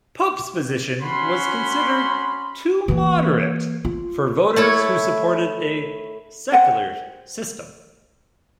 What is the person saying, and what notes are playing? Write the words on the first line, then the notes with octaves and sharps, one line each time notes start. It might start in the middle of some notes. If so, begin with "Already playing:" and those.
Pope's position was considered too moderate for voters who supported a secular system.
C#4 F#4 B5 C6
E3 A#3
F4
A3 E4 C#5
C5 F#5 G5